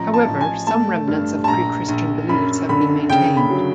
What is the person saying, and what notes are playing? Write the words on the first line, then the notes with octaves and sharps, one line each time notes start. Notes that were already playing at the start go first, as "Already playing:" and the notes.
However, some remnants of pre-Christian beliefs have been maintained.
Already playing: A1 F3 A#5
A5
A1
G#5
A3 A5
G2
A5
A#1 A#5
A#1
F#2 B5
D3 B5
C#3 G5
B5
F#3